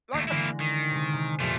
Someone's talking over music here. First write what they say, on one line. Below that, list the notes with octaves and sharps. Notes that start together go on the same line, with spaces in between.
like I s
D#2 A3 A#6
D3 E3 G#3 A#3 E4
D#3
C3 G#3
C3
F2 A#2 A3 F4 G4